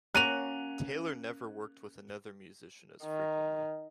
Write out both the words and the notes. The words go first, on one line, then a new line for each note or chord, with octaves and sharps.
Taylor never worked with another musician as frequently.
A#3 C#4 F#4 F#6 D#7 F7
D#3